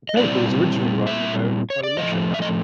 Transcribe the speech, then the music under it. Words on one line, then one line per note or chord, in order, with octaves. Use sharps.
The paper was originally run and owned by the Lesher family.
D#5
A#2 G3 C4 E4 D5
E5
C#5
D5
A2 F3 A3 D#5
E5
D#5